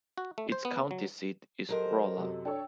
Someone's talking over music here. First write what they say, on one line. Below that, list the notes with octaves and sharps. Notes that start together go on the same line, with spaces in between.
Its county seat is Rolla.
F#4
A3
C5
B3
F#3
F#3 G4 A4 A#4 C5 D#5
F#2 C3
D4 A4 C#5 G5 E6